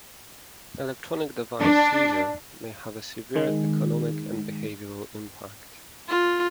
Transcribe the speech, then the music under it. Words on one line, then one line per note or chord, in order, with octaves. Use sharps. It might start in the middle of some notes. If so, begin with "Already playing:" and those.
Electronic device seizure may have a severe economic and behavioral impact.
D4
D#3 G#3
F4